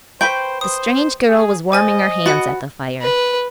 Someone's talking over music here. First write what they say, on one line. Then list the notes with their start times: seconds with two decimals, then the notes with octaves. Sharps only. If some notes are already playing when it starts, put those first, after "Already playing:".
The strange girl was warming her hands at the fire.
0.21 B4 C5 G5 B5 C#6 G6
0.61 C5 D#6
1.28 G#4
1.72 C5 D#5 G#5 A6
2.26 F#4 F#5 B5 A6
3.01 B4